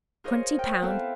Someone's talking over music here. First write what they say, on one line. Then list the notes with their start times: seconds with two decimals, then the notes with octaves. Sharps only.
Twenty pounds!
0.24 F4 G#4 A#4 C5 C#5 D#5
0.59 G5 F6
0.82 B3 C4 E4 A4 E5 F5